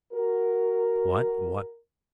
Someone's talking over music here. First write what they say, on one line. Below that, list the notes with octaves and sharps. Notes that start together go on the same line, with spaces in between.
What, what!
F#4 A#4